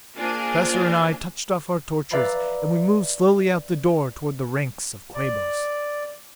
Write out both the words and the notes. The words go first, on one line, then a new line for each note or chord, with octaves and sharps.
The Professor and I touched off our torches; and we moved slowly out the door toward the ranks of Quabos.
A#3 D4 F4 G#4 C5 G#5
B4 D5 E5 F5 A#5 B5
D5